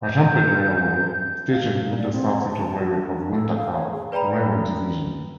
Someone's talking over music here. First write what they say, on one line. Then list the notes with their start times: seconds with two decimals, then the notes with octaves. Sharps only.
Rajampet railway station is under South Central Railway of Guntakal railway division.
0.03 G6
1.51 F5
1.83 D#4
1.98 D5
2.11 C4
2.51 A5
2.78 F#4
3.13 D4
3.32 A4
3.56 F5
3.72 C#5
3.92 G#4
4.12 B4 D5 G5 A#5 B5